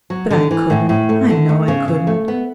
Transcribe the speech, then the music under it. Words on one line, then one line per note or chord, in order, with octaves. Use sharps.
But I couldn't, I know I couldn't.
F#3
D3
E3
A2
A2
A3
D3
A3
C#3
C#3
A3
B3